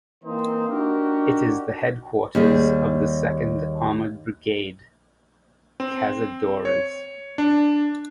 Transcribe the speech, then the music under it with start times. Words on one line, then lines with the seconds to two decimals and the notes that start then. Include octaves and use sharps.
It is the headquarters of the Second Armored Brigade ""Cazadores"".
0.24 E3 A#3 C4 D#4 C5
0.68 D4 D#4 F#4 G4 A#4
2.35 D#2 G3 G#4
5.80 C4
6.65 C#5
7.38 D4